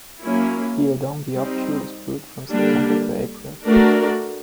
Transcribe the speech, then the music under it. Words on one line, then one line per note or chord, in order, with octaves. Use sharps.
Gyodong-beopju is brewed from September to April.
F#3 A#3 C#4 E4
G3 C4 D#4
D3 G3 A#3 D4 G4
A3 D4 F#4 A#4 D5